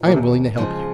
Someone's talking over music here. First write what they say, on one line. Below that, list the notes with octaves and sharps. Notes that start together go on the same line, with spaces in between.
I am willing to help you.
A#2
D#2 C3
G#2 C#3 F3 G#3